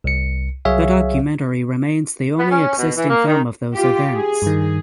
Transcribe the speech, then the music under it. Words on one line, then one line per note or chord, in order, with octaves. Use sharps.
The documentary remains the only existing film of those events.
C2 C#7
C2 F#3 G#4 C#5 E5 F5
B3
C#4
B2
E3
A#3
D#3
F4 G4
G#4
G2 D#3